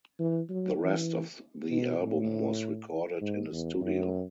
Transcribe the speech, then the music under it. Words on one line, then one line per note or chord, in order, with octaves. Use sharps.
The rest of the album was recorded in a studio.
E3
F#3
E3
B2
A2
G#2
E2
F#2